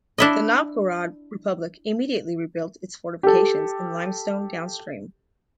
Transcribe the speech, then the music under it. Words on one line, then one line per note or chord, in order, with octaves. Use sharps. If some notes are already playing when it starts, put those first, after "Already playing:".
The Novgorod Republic immediately rebuilt its fortifications in limestone downstream.
D4 E4 D#5
G4 A4